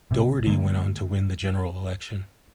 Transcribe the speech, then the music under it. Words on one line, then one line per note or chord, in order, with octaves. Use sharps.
Dougherty went on to win the general election.
A#1 C3
D3 G#3 A#3